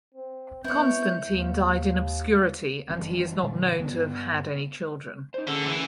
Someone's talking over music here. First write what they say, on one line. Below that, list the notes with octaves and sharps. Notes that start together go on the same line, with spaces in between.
Constantine died in obscurity and he is not known to have had any children.
C4
B3 C4 E4 B4 C#5 G6
D#2
F#1 E3 G3 C4
G2 A#2 D3 G#3
G2 B3
D#4 C5
D3 C#4 G#4 A#4
E3